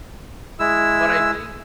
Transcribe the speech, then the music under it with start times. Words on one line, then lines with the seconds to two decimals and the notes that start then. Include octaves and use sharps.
But I think
0.59 G#3 E4 E6